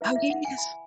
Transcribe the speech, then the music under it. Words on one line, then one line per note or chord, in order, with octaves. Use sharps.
Oh, yes.
E4 B4 E5
E5
F#5
G#5
B5